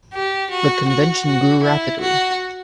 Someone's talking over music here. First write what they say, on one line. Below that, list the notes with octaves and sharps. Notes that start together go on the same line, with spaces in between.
The convention grew rapidly.
G4
F#4
F#4
F#4
E4
F#4